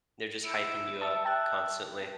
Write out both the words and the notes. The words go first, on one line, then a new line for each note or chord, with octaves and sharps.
They're just hyping you up constantly.
E4 C#7 D7 E7
E5 A5
E5 G5 A5 F#6